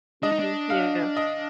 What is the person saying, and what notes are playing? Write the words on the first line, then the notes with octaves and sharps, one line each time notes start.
Mhm. Yeah.
D4 D#5
D#4
D4
F5
D#5